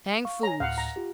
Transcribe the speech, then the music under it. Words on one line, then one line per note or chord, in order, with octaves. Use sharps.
Chang Foo's!
F5 C#6
C#5 G#5 A#5
D2 A2 F5 F#5
A#5
F4 G4